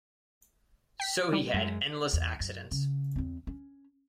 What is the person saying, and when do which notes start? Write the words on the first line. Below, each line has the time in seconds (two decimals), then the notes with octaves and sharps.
So he had endless accidents.
1.00 G5 B6
1.33 G3
1.54 F#2 G#3
2.13 E2
2.40 F#2
2.71 C#3
3.16 E2 C4
3.47 C#4